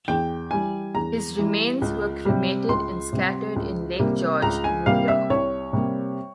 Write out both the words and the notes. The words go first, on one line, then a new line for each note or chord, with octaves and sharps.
His remains were cremated and scattered in Lake George, New York.
E2 G5
E3 G3 G#5
E2 A#5
E3 G3
C#2
C3 G3
C#2 C6
C3 G3
C#2
C3 G3 A#3
C#2 A#5
G#5
C3 G3 A#3 F5
E5
C2 C#5
C3 G3 A#3